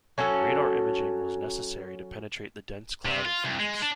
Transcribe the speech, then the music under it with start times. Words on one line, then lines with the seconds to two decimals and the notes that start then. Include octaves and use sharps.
Radar imaging was necessary to penetrate the dense cloud of Venus.
0.18 F#3 C#4 F#4 A4
3.06 C3
3.25 F4
3.44 C2
3.59 G#3
3.82 D4